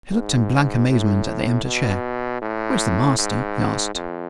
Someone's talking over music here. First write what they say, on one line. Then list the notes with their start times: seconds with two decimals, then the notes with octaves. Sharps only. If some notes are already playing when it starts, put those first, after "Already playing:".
He looked in blank amazement at the empty chair. "Where's the master?" he asked.
0.11 G#2
0.88 A2
1.65 B2
2.42 A2
3.18 G#2
3.95 F2